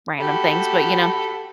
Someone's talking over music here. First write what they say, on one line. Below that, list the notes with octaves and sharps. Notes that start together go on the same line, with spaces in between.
random things, but, you know,
F#4 G4 A4 B5